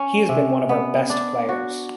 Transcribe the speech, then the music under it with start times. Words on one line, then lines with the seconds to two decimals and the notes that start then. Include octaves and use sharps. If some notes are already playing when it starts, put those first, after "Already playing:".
He has been one of our best players.
Already playing: C#4
0.29 C3
0.69 B3
1.10 D4
1.49 F#4